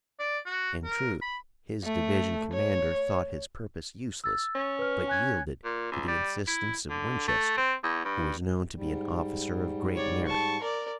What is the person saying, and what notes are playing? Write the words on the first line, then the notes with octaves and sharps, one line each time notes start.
In truth his division commander thought his purpose useless, but yielded to the insistence of Winchester who was known to be an officer of great merit.
D5
F#4
A#4
B5
A3
C#5
E6 A6
C#4
B4 F6
G#5 F#6 G#6
A#2
C#2
G3
E4
D3
A3
C4
E2
G2
G#2 G3
C#5 D5
A5 C#6
A#4 D5